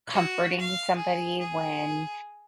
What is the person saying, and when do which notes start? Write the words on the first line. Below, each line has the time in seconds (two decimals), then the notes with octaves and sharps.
comforting somebody when
0.12 F#4
0.60 F5
0.97 G#4
1.40 G#4